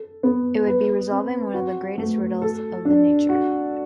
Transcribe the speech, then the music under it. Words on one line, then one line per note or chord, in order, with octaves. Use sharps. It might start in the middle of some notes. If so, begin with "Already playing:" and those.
It would be resolving one of the greatest riddles of the nature.
Already playing: A4
B3
B4
C4
F#4
A3
A4
D4
F#4